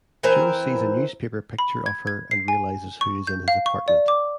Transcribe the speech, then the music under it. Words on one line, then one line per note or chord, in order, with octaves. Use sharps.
Joe sees a newspaper picture of her and realizes who is in his apartment.
E3 C4 A#4
B5
G#6
G#6
C7
G#5
C#6
G6
F5
C#6
D5
D6